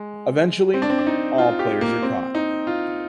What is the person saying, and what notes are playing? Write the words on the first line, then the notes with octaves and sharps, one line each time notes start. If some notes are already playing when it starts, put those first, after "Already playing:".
Eventually, all players are caught.
Already playing: G#3
C4
D4
C4
D4
D#4
F4
G4
A#3
C4
D#4
F4